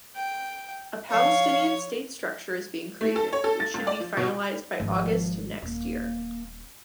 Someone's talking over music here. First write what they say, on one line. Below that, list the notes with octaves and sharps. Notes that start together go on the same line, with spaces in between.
A Palestinian state structure is being created, which should be finalized by August next year.
G5
F3 C#5 F5
A3
A4
C#5
A4
A6
C#2
D5
F3
B2
G#1 F3 G#3
D#1 A#3 C4